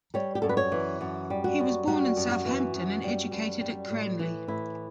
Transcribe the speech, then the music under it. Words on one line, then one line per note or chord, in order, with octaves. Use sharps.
He was born in Southampton and educated at Cranleigh.
G3 C#5
G4
F#2 A4
B4
C#5
E3
F#2
G3
F#4
F#2
G3 F#4
F#2
F#4
E3
F#2
G3
F#2
G3
A2
E3
A2 E4